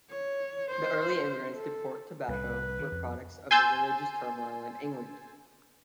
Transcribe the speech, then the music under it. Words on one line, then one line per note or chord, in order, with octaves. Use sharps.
The early immigrants to Port Tobacco were products of the religious turmoil in England.
C#5
C5
A4
C2 A2 B4
D#3
F2
G#5 C6 E6 G6 A6